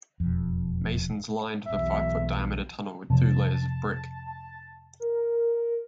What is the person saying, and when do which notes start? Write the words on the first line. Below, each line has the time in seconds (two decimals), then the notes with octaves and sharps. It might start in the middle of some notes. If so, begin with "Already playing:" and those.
Masons lined the five-foot-diameter tunnel with two layers of brick.
0.20 E1 F2
1.66 B1 E2 E5
3.10 F2 C3 A5
5.00 A#4